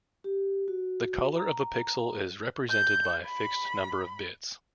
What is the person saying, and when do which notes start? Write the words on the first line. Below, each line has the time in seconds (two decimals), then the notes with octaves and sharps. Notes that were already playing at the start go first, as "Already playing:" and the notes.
The color of a pixel is represented by a fixed number of bits.
0.24 G4
0.68 F#4
1.36 A#5
2.69 G6
3.26 B5